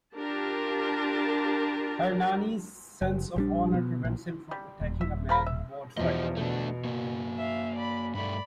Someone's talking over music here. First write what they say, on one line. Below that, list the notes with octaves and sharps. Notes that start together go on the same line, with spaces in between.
Hernani's sense of honor prevents him from attacking a man who won't fight back.
D4 F4 G4 A#4 A5
F#1
A#1 G3 D4
B2
A#1 A#2
G3
D#1
E5
F3 A#4 B5
E5
E2 B2 F3 G4 C5 D#5
B2 A3 D4
A#3 F#4
E5 F5
D5 B5
G2 A3 D5 B5